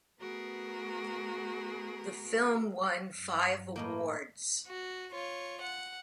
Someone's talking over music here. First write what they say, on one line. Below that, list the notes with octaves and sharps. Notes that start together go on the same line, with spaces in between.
The film won five awards.
A3 B3 F#4 G#4 A#4 B4
G2 F#3
A2 A#3 D#5 G5
F#4
F4 C#5
F#5